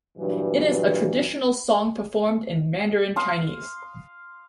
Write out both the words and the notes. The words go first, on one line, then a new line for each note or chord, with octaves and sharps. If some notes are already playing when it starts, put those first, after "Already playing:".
It is a traditional song performed in Mandarin Chinese.
G2 A#2 E3 F#3
F5 C6 D#6